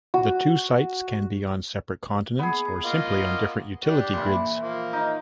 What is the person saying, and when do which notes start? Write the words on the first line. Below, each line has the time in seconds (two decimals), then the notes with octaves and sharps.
The two sites can be on separate continents or simply on different utility grids.
0.14 F#4
2.39 B3 G#4
2.85 A#3 F4 D#5
3.85 D4 G4
4.13 A#2 E3
4.61 F3 A#3
4.93 D#4